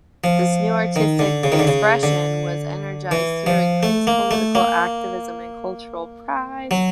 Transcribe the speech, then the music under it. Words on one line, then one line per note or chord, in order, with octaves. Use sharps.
This new artistic expression was energized through increased political activism and cultural pride.
F3
D#3
D3
C#3
D#3
D3
C#3
D3
E3
F3
A3
A#3
A3
A#3
F#3